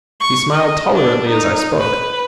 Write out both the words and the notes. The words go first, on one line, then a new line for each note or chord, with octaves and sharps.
He smiled tolerantly as I spoke.
C#6
D#5
D4
D#4
B4